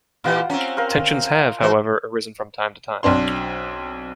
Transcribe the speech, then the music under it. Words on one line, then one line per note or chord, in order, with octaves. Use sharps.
Tensions have, however, arisen from time to time.
A#2 E3 F4 G4 F#5
C4 C#4 A#5
A#4 C5 F5
E3 F#4 C5
B1 C4 D4 C6